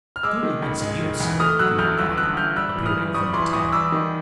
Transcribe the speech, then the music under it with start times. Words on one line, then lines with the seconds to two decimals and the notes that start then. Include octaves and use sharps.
"It's only once a year, sir," pleaded Bob, appearing from the Tank.
0.16 F6
0.23 G#3 D6 E6
0.43 D#3
0.62 C#2
0.81 G#3
1.01 D#3
1.20 E2
1.40 A3 D#6 F6
1.59 F#3 E6 F#6
1.78 A1 F6 G6
1.98 G1 E6 F#6
2.17 D3 E6 F#6
2.37 G1 F6 G6
2.56 G3 E6 F#6
2.76 E3
2.86 D#6 F6
2.95 G1
3.14 G3 C#6 D#6
3.34 E3 C6 D6
3.53 E2 C#6 D#6
3.72 G3 D6 E6
3.92 D#3